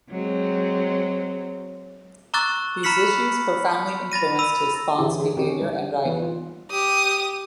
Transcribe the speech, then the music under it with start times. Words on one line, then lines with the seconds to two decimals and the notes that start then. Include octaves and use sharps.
These issues profoundly influenced his thoughts, behaviour, and writing.
0.10 F#3 G#3 C4
2.34 A#5 C#6 D6 E6 F#6 A6
2.83 A#5 B5 F6 B6 C#7 F#7
4.12 B5 A6 A#6 D#7
4.39 B5 E6 D#7
4.98 D3 E3 C#4 E4 G4 G#4
5.20 G#4
5.37 C4 C#4 F#4 G4
5.59 G3 D#4
6.05 E3 B3 D#4 B4
6.22 F4
6.71 G4 D#6